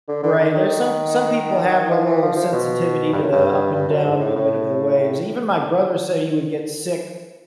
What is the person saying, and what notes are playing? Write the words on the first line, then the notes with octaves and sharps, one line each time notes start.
Right, there's some some people have a little sensitivity to the up and down movement of the waves. Even my brother said he would get sick,
D3
D3
D3
D#3
F3
E3
F3
F3
B2
G2
F#2
G2
G2
F#2
G#2
A2
A2
A2